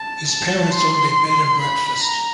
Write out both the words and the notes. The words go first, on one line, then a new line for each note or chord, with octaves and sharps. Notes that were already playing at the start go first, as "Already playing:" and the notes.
His parents owned a bed-and-breakfast.
Already playing: A5
A5
C6
B5
A#5